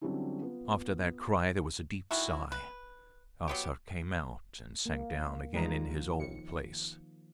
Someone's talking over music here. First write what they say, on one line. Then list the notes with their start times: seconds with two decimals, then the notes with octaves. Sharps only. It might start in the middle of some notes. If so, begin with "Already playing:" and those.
After that cry there was a deep sigh. Arsat came out and sank down again in his old place.
0.01 D3 F#3 G3 C4 C#4 E4
0.41 B3 F4
2.11 D#3 E3 E4 F#4
2.52 B4
3.48 F#3 B3 G4
4.86 A#3
5.54 D#3 F3 G3 G#3 F4 A#5
6.19 D#2 C#7